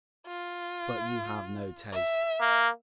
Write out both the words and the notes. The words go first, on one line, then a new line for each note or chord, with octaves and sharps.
But you have no taste!
F4
E5
A#3